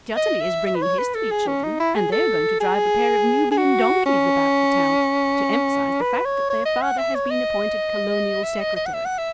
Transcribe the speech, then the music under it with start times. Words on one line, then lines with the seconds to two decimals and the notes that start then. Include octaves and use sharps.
Jutterly is bringing his three children, and they are going to drive a pair of Nubian donkeys about the town, to emphasise the fact that their father has been appointed Colonial Secretary.
0.16 D#5
0.41 E5
0.66 E5
0.75 B4
0.82 C#5
0.98 B4
1.14 A4
1.31 G#4
1.47 C#4
1.63 D#4
1.80 E4
1.95 G#4
2.12 A4
2.60 G#4
3.51 G#4
3.57 F#4
4.06 C#4
6.01 B4
6.25 C#5
6.50 C#5
6.65 D#5
6.82 F#5
6.98 E5
7.15 C#5
7.30 D#5
8.44 E5
8.61 D#5
8.76 D#5
8.86 F#5
8.94 E5
9.05 F#5
9.18 E5